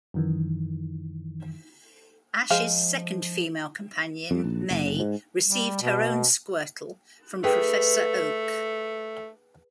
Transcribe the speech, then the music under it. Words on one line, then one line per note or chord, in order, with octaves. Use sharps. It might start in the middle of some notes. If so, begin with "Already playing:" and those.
Ash's second female companion, May received her own Squirtle from Professor Oak.
F#2 D#3 E3
F3 G#3 C5 F5
F2
A#1
F#1
G#2
G3
B2
A3 G#4 B4 G5